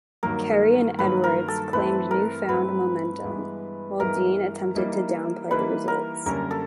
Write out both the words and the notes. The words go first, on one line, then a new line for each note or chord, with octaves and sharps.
Kerry and Edwards claimed newfound momentum, while Dean attempted to down-play the results.
G2 D#3 F#3 A#3 A#4
G2 D#3 F#3 A#3 B4
A#4
A4
G2 E3 A3 C4 B4
A#4
G2 E3 A3 C4 B4
G2 E3 G#3 B3
G2 E3 G#3 B3 A#4
E3 G3 A#3 D#4
E3 G3 A#3 D#4 B4
A#4
F#2 D3 G3 A#3 C#4 A#4
A4